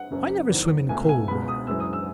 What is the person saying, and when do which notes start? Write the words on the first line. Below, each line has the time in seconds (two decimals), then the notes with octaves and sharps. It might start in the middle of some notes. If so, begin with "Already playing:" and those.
"I never swim in cold water."
Already playing: F#5
0.11 F#1 F#2 C#3
0.50 F#1 E2 D#3
0.89 C#2 B2 A3 G#5
1.09 G#5
1.28 C#2 B2 G#3 B3 B5
1.48 D#6
1.67 F#1 F#2 E3 G#3 B3 E6
1.80 D#6
1.93 E6